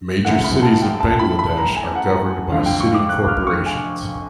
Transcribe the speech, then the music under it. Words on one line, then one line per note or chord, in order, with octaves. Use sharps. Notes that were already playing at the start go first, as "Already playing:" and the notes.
Major cities of Bangladesh are governed by City Corporations.
F#2 C#3 E3 A3 F#5
B5
A5
G5
A5
B5
B5
A#5
G#5
F#5
F1 F2 D3 F5
G5
C#6
D6
F#6
F6
C#6
G#5